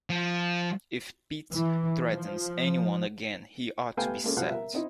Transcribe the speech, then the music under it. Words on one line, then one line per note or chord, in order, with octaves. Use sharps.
If Pete threatens anyone again he ought to be sacked.
F3
E3
F3
A3 B3 G4 F5 G5 G#5
G#3 A#3 C#4 A4
B2 F3 G3 F5 F#5 F#6
A#4 E5
C4 D#4 E4 C5